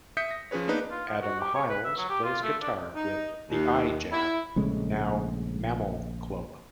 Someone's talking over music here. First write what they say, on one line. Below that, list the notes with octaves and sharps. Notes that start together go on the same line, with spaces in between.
Adam Hiles plays guitar with The Eye Jab, now Mammal Club.
E5 D#6 G6 B6 C#7
A#6
F3 C#4 G#4 B4 C#5
A#3 B3 D4 D#4 B4
F4
F3
F#4
G4
C#5
B4
E5
F#3
G4
F4
A3
D4
D#4
D#2
E4
A#1 C#3 G#3 A3